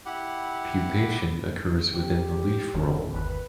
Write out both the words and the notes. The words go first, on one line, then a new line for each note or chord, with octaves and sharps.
Pupation occurs within the leaf roll.
E4 G4 F#5
G4
F1 D#2 C3
G1 D#2 B4